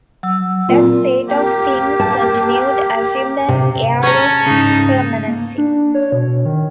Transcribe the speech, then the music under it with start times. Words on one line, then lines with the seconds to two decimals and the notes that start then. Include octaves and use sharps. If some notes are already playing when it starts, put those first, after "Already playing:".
That state of things continued, assumed an air of permanency.
0.23 F#3 E6
0.69 A#2 C4
1.28 A#3 G4
2.00 A5
3.49 C3
4.03 C#4 C#5 A5 A#5
4.46 G#2 C#3 D#4
5.28 A#3
5.58 D4
5.95 C#5
6.12 B2
6.45 D#3